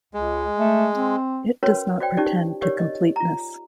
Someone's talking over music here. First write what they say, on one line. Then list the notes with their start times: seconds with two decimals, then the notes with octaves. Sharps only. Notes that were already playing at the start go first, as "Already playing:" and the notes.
It does not pretend to completeness.
0.14 C#2 G#3
0.59 A3
0.94 C4
1.63 C#4 F#4 A#4 B4 C#5 C6
2.00 F#4 C5 D5 G5
2.17 C#4 D#4 F4 G4 D5
2.61 G4 A#4 C#5 D5
2.79 D#5
3.16 F4 A#5